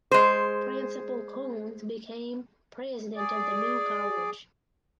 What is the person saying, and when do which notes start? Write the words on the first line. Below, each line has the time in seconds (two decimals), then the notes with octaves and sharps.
Principal Koons became president of the new college.
0.11 G#3 C5
3.16 G#4 D5